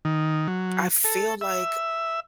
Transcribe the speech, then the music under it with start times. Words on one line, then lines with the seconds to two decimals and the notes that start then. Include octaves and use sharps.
I feel like
0.05 D#3
0.48 F#3
1.04 A4
1.41 E5